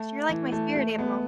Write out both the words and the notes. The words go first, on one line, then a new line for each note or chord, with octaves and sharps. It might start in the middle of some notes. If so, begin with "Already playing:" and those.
You're like my spirit animal.
Already playing: A3
E3
A3
A3
B3